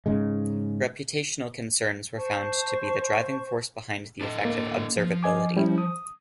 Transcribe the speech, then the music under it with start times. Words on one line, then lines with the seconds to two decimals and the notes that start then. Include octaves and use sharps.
Reputational concerns were found to be the driving force behind the effect of observability.
0.06 G#2 C#3 G#3
2.15 C5 A5 C#6
4.21 D4 A4 D#5
4.45 A#3
4.97 F3
5.23 D#5 G#5 D6
5.57 G3 C#4 E4
5.78 D#6